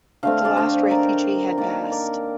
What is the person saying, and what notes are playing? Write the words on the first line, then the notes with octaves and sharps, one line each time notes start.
The last refugee had passed.
D3 A3 C4 F5
D5 F5
C5 D#5
A#4 D5
D#3 A#3 D4 A#4 D5
A#4 D5